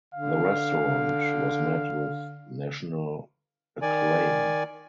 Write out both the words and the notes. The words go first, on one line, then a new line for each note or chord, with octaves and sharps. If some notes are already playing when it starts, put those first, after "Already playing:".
The restaurant was met with national acclaim.
D3 F5
D#3 D5 G#5